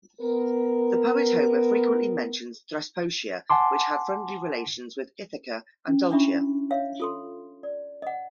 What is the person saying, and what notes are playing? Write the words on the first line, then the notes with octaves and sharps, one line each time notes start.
The poet Homer frequently mentions Thesprotia which had friendly relations with Ithaca and Doulichi.
B3 A#4
F#5 G#5 A5 C6 D6
C#4
C#4 D4 E4 E5 B5 C#6
C#5 E5 F5
F4 A4 C6
D5
D#5 F#5